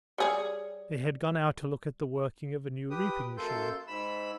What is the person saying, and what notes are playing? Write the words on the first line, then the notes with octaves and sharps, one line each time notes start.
They had gone out to look at the working of a new reaping machine.
G3 G#4 C#5
G4 B4 D#6
F#2 A#3 A4 C6 G6
G#2 B5 E6